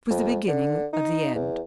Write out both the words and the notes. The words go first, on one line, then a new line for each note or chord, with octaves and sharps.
It was the beginning of the end.
F2
D3
D#4
E2